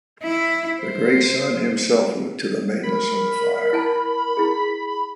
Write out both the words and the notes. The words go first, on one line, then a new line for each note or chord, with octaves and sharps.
The Great Sun himself looked to the maintenance of the fire.
E4
C5
A#4 B5
E4 G#5 A5
E4 G#4